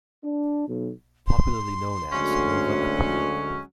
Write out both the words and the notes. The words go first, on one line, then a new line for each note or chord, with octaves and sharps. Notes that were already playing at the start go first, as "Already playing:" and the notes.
Popularly known as "Nova Aprile".
D4
B1
C6
D2 F#3 G#3 C#4